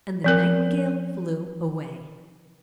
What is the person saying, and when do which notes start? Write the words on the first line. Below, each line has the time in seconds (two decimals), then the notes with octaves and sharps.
And the Nightingale flew away.
0.24 F3 C4 A#4